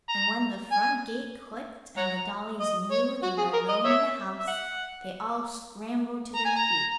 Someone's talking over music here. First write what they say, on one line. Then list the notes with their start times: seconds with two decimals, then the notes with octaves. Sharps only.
And when the front gate clicked and the dollies knew they were alone in the house, they all scrambled to their feet.
0.09 A#5
0.72 G#5
1.97 C#5 F#5 A#5
2.60 D#5
2.91 C#5
3.23 F#4
3.38 G#4
3.53 A#4
3.69 D#5
3.85 C#5 E5
4.39 E5
4.47 F#5
6.35 A#5
6.45 G#5
6.56 A#5